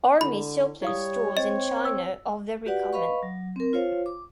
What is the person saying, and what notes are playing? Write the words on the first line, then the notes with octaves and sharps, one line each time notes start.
Army surplus stores in China are very common.
D3 E4 B5
G3 E4 C#5 F5 D#6
C4 D#5
E6
F#4 G4 B4 D5 F#5
B4 D#5 F5 B5 C#6
F#3
C4 A#4
F4 C5 C#5 F5
D6